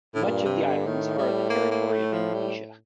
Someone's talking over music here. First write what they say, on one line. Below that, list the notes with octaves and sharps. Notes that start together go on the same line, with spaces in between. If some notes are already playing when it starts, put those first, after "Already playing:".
Much of the islands are the territory of Indonesia.
A2
G2 A#2
C3
D3
A2 D#3
G3
A#3
A#3
A3
F3
G3